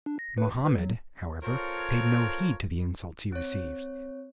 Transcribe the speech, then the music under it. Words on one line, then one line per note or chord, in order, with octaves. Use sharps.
Mohammed, however, paid no heed to the insults he received.
D4
A#6
B4
A#1
B4
F#3
C4 F4 A4 A#4 C#5
C4 C#5